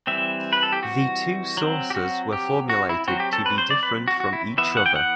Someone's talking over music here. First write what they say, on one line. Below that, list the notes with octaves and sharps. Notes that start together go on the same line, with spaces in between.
The two saucers were formulated to be different from each other.
E3 G3 C4 E5
B4
A4
G4
F#4
F#3 C4
G4
F#4
G4
F#4
E4
F#3 C4 F#4
G4
A4
B4
C5
D5
B4
F#4
F#4
E4
E3 B3 E5
F#5
G5
F#5